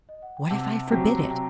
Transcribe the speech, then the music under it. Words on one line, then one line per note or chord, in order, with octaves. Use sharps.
"What if I forbid it?"
D#5
F#5
G5
C3 F#5 A5
F#3 C4 G4 G5 A#5
C3 G5 A#5